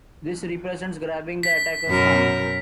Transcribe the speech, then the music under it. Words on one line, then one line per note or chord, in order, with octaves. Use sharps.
This represents grabbing the attacker's arm.
B6
F#2 B2 A#4